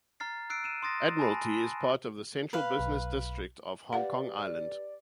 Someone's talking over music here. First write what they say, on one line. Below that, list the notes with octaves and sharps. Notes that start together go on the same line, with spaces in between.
Admiralty is part of the Central Business District of Hong Kong Island.
A#5 F6 A6 C7
E6 F#6 C7 D7
D#7 E7
C6 D#6 A6 A#6
G#5 A5 B5 A#6
B4 F5
B1
G4 B4 D5 F5 F#5